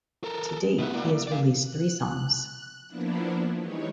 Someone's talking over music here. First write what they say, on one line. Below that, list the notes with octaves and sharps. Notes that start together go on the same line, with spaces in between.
To date he has released three songs.
A4 A#4
G#3
A2 B3 D#4 E4
A#3 E4 D5
D5 F5
F#6
F3 A#3 B3 D4 E4
E3 G3 G#3 D#4 C#5